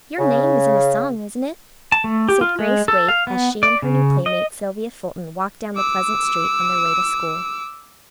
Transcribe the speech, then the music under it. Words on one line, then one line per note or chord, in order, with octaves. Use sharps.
"Your name is in a song, isn't it?" said Grace Waite, as she and her new playmate, Sylvia Fulton, walked down the pleasant street on their way to school.
C#3
A5
A3
G4
F4
G#3
A4
F5
B3
D5
C#3
D#5
D6 E6